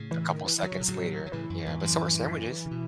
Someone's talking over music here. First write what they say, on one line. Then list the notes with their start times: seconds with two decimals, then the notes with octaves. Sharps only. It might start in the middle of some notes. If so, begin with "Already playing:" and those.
a couple seconds later, yeah, but so are sandwiches.
Already playing: A2 C#3
0.11 E3
0.29 D#3
0.46 E3
0.58 E3
0.63 D#3 F#3
0.72 C#3
0.80 B2
0.88 A2 C#3
1.26 D#3
1.32 A2 C#3 E3
1.50 F#2
1.67 E2 G#2
1.84 F#2 A2
2.66 C#3
2.71 B2